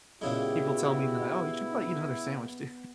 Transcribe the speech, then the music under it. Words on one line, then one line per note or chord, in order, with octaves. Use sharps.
People tell me they're like "Oh, you should probably eat another sandwich, dude."
A#2 C#3 G#3 B3 E4 F#4 G4